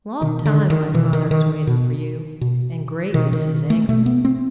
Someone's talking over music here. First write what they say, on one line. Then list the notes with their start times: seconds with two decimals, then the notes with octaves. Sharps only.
Long time my father has waited for you, and great is his anger.
0.21 B2 D#3
0.45 D3
0.70 D#3
0.94 B2 E3
1.13 D#3
1.31 D#3
1.67 B2
2.41 B2
3.14 B2 D#3
3.33 D#3
3.70 A3
3.89 B2 A3
4.06 B3
4.25 C4